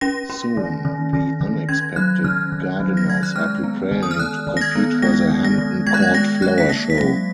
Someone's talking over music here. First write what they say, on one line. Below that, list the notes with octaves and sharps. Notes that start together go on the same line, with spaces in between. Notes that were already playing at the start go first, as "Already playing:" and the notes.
Soon, the unexpected gardeners are preparing to compete for the Hampton Court Flower Show.
C#4 A#6
C#4
D#3
D#3
D#3
D#3
C#4 G#6
F#3 F#6
D#3 F6
D#3
F#3
A#6
D#3 G#6
F#6
G#3 F6
B3
D#3
D#6
F6
D#3 F#6
D#3
A#6
G#6
B3
G#3 A#6
D#3
A#6
D#3
G#3 G#6
F#6
G#6
G#3 A#6
G#3 F#6
B6
A#3 A#6
B6
F#3 A#6